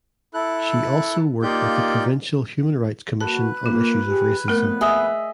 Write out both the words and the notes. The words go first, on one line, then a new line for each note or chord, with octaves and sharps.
She also worked with the provincial human rights commission on issues of racism.
E4 A4 F#6
A#3 D#4 F4 G4 D5 G6
A#3 F#4 B4 A5
A#3 F4
G4 G#4
F2 A#2 A3 B3 A#4
G#4 D#5 E5